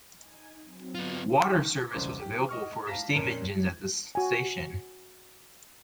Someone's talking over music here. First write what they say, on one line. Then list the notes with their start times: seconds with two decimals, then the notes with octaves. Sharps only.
Water service was available for steam engines at this station.
0.15 D#4 G#5
0.61 F#3 C4
0.95 B3 F4
1.93 E1 C2 C#3 C5 D6
2.20 G4
2.49 D#5 C#6 F6
2.86 F5 A5 A#5 A#6 B6 E7
3.16 F2 A#2 C#4 A#4 D#7 E7
4.15 F#4 G#5